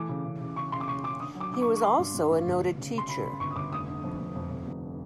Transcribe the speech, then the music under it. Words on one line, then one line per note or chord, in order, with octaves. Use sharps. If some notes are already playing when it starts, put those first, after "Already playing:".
He was also a noted teacher.
Already playing: E3 A3 D6
C#3
C#3
C#3
C#3 C#6
C#3 C6
D6
C#3 C#6
C#3 D6
D3 D#6
F#3
D6
D3 D6
C#6
D3
C#6
D3 C6
G2
G2
A1
G1
G1
C#3
C#3 C6
C#3 B5
C#3 B5
G1 C#6
D#6
G1 D6
F1 D#6
D3
F2
F1
F2
F2
F1